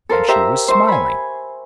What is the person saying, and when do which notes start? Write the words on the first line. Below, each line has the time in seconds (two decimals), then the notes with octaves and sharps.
And she was smiling.
0.09 A4 A#4 C5 F5
0.28 G4 C5 E5 A#5
0.68 C5 E5 A#5 C6 C#6
0.88 G#5 B5